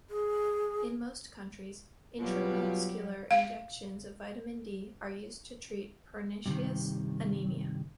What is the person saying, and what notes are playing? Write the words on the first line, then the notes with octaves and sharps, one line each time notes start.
In most countries, intramuscular injections of vitamin B are used to treat pernicious anemia.
G#4
B2 F#3 G3 F4 G4
F5
G2 C3 D#3